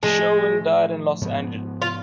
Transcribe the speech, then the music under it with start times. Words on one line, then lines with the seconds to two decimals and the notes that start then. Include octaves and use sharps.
Sherwin died in Los Angeles.
0.03 A2 F3 G#3 A3
1.21 G#2 F3 B3
1.82 F4